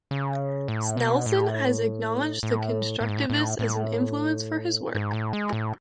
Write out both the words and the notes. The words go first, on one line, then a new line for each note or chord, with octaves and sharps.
Snelson has acknowledged the constructivists as an influence for his work.
C#3
A2
B2
A2
A2
A2
G#2
A2
A2
A2
G#2
A2
G#3
A2